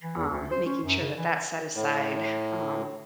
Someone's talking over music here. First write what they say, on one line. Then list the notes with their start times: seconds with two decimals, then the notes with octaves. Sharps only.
um, making sure that that's set aside. Um,
0.03 E3
0.16 E2
0.30 D2
0.51 C5
0.66 C#4
0.83 F#2
1.00 C#3
1.16 E3
1.76 A2